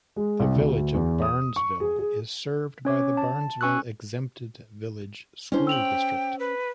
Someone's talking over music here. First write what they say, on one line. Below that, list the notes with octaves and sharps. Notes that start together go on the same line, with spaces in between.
The village of Barnesville is served by the Barnesville Exempted Village School District.
G#3
C2
D2
E2
D#6
C#6
G#4
G#4
C#4 C#5 D6
A5
C#4 G#5 C#6 E6 F#6
C#4 D4 E4 C5
G5 E6 F7 F#7
B4